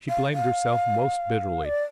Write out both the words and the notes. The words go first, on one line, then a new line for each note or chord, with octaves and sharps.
She blamed herself most bitterly.
F5
F5
D5